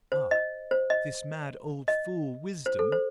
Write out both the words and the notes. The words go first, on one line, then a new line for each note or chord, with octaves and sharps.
Ah, this mad old fool, Wisdom!
C5
D#5
C5
D#5
D#5
C5
A4
C5